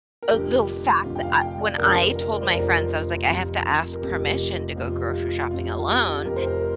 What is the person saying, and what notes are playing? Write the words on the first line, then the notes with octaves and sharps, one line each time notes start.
uh, the fact that I when I told my friends, I was like, "I have to ask permission to go grocery shopping alone."
A#4
F1 F2 D3 G4
F1 F2 D3 F4
G5
F5
G5
D5
F1 F2 D3 A#4
A#4
D5
C5
F1 F2 D3 A#4
F1 F2 C3
A#4
F1 F2 C3 G4
F1 F2 C3 F4
F4
F1 F2 C3 F4
G4
F1 F2 C3 A#4
C5
A#4